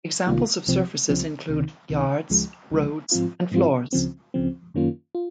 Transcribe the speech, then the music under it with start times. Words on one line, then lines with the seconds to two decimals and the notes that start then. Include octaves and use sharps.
Examples of surfaces include yards, roads, and floors.
0.27 C2 C3 D#3 A#3 F4
0.67 C2 C3 F3 C4
1.09 C2 C3 F3 C4
1.48 C#2 C3 D#3
1.90 C#2 C3 D#3
2.30 C#2 C#3 F3 G#3
2.71 C#2 C#3 F3 G#3
3.12 G#2 F3 C4 F4
3.52 G#2 F3 C4 F4
3.93 C#2 C#3 F3 C4
4.34 C#2 C#3 F3 C4
4.74 F#2 D#3 A#3 C#4 F4
5.15 F4